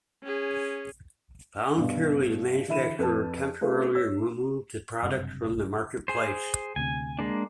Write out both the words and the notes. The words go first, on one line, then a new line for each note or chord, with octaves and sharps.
Voluntarily, the manufacturer temporarily removed the product from the marketplace.
C#4 G#4
G2 B2
D3 E3 E5 B5 D#7 E7
F2 B4 A5
A3 C4 C#4 F4 G#4 B4
C#5 E6
F#1 G2 C3
G#4 C5
D2 C3 G#5
G#3 A#3 D4